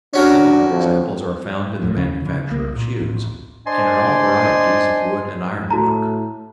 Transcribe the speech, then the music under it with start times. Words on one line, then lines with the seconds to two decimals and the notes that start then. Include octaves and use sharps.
Similar examples are found in the manufacture of shoes, and in all varieties of wood- and iron-work.
0.14 C#4 D4 F#4 A#4
0.69 F2
1.82 E1 F#2 A2
1.95 D#2 C#3 C#4
2.25 C#3
2.51 C2 A#3
2.76 A#2
3.00 D1 A1
3.66 D4 C5 D5 D#5 G#5 C6
5.71 A2 F#4 A5 A#5